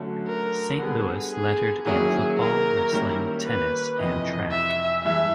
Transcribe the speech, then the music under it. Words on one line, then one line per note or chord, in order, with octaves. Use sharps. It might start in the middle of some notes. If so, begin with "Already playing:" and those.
St.Louis lettered in football, wrestling, tennis, and track.
Already playing: D3 F#3 A3 C#4
A#4
D3 G3 B3 G#4
G#4
D#3 F#3 A#3 C#4 E4 G#4
A#4
D#3 G3 A#3 C#4 E4
B4
F2 C3 E3 D#5
E5
G2 E3 G#3 E5